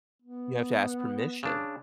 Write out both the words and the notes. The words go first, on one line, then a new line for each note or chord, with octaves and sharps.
You have to ask permission.
B3
C#3 D4